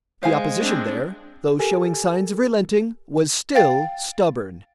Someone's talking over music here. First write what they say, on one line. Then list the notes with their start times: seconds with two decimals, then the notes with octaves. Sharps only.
The opposition there, though showing signs of relenting, was still stubborn.
0.23 G#3 C5 F5 G#5
0.60 C4 D4
1.59 G4 A4 A#4 G#5
3.55 F5 G5 A6